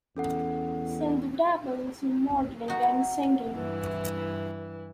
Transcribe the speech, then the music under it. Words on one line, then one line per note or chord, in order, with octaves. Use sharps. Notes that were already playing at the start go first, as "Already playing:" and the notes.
Sandhu dabbles in modeling and singing.
E2 C#4 A4 F#5
D#4 F#4
G2 E3 E4